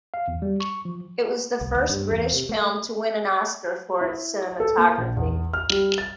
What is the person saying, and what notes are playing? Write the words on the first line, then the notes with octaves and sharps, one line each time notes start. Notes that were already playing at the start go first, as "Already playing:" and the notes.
It was the first British film to win an Oscar for its cinematography.
F5
E2
G3
C#6
F3
C2
D#2
G2
E2
C3
A3
E4
A4
A#3
A#1
E2
F6
G3
A6